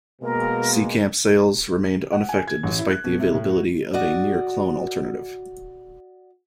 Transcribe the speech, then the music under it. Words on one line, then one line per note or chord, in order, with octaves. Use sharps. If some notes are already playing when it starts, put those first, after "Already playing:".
Seecamp sales remained unaffected despite the availability of a near clone alternative.
B2 G#3 A#3 A#4
F#5
G#5
G#6
A1
E4
F#6
B2
C3
A2
F#4
F#4 D5 D#5